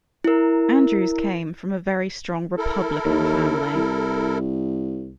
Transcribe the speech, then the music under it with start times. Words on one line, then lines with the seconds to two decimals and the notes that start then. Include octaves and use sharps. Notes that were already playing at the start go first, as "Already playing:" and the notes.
Andrews came from a very strong republican family.
0.24 E4 A#4
2.57 E4 A4 A#4
3.05 D#2
3.75 C2